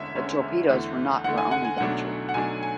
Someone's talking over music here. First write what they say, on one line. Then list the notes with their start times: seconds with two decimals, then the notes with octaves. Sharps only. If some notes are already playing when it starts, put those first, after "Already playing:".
But torpedoes were not her only danger.
Already playing: E1 D2 D3 G#3 C#4 E5
0.15 E1 D2 D3 G#3 C#4
0.70 E2 D3 A3
1.24 E2 D3 A3 F#5
1.38 G#5
1.51 F#5
1.65 G#5
1.78 B1 B2 F#3 A3 D4 F#5
2.29 F#5
2.34 B1 B2 F#3 A3 D4 G#5
2.63 G#5